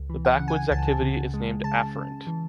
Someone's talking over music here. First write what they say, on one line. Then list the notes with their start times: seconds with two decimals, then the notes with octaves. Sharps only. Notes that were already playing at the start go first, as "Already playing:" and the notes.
The backwards activity is named “afferent”.
Already playing: C#2
0.09 E3
0.25 F#5
0.40 C#3
0.48 G#5
0.71 C#2 A5
1.02 C#3
1.34 G#3
1.64 C#3 A5
1.95 C#3
2.27 E3